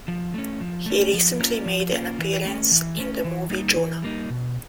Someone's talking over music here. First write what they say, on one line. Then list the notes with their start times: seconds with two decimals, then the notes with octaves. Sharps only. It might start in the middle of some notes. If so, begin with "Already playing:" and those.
He recently made an appearance in the movie "Juno".
0.08 F3
0.34 A3 C#4
0.61 F3
0.86 A3 C#4
1.13 F3
1.40 A#3 C#4 F4
1.66 F3
1.91 A#3 C#4 F4
2.19 E3
2.45 A3 C#4
2.71 E3
2.97 A3 C#4
3.24 E3
3.50 G3 A#3 D#4
3.77 E3
4.02 G3 A#3 D#4
4.30 B2